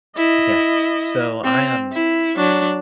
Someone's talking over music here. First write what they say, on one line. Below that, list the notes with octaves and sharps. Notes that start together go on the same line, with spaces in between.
Yes. So I am
E4 D#5
C4
E4
F#3 D4